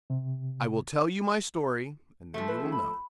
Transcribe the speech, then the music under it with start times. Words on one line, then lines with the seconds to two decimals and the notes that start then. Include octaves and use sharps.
"I will tell you my story, and then you will know."
0.10 C3
2.34 F3 A3
2.48 B4
2.60 C#4 F4 G#4
2.72 B5